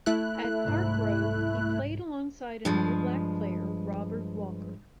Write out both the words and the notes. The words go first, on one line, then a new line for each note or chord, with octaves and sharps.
At Parkgrove he played alongside another black player, Robert Walker.
A3 E4 F#6
C2 G#2
G2 F3 G#3